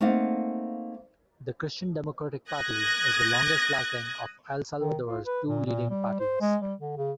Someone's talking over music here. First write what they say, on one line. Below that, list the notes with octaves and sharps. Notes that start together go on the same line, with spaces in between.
The Christian Democratic Party is the longest lasting of El Salvador's two leading parties.
A3 A#3 C4 D#4 F5 F#5
D#6 F#6 G#6 A#6
D#3
F4
B4
A#2
A#2
G3
C5
G#3
G3
D3
C#3